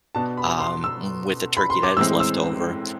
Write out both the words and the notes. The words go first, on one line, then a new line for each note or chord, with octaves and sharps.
um, with the turkey that is leftover.
B2 B3 D4 A5
B5
C6
E6
B5
C6
D6
A2 E3 G#3 C4 E6
E6